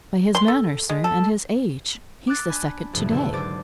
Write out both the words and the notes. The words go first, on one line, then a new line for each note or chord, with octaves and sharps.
"By his manner, sir, and his age; he's the second to-day."
C6
A4
G#3
A4
D6 E6 F#6 A6
D4 G#5 B5
F2 A2 C3
F#1 D3 B4 E6
G#1 D3 C5 D6 A6